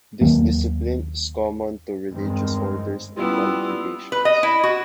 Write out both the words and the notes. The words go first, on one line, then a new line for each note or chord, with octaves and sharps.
This discipline is common to religious orders and congregations.
D#2 D#3 F#3 A#3
E2 G2 D#3 G#3 C4
G3 B3 C#4 E4 F4
B4
D#5
E4
F#4